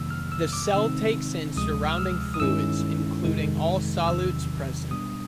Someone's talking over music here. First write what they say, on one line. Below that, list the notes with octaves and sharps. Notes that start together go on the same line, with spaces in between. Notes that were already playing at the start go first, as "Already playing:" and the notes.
The cell takes in surrounding fluids, including all solutes present.
Already playing: F2 C3 D#3 F#3 A#3 E6
F6
E6
D6
C3 D#3 G#3 C4 D#4 E6
D2 C3 F3 G#3 D#6
F6
E6
D#6
G2 D#3 G#3 C#4 E4 E6
F2 C3 D#3 G#3
E2 C3 D#3 F#3 E6
B2 G3 B3 D4 D#6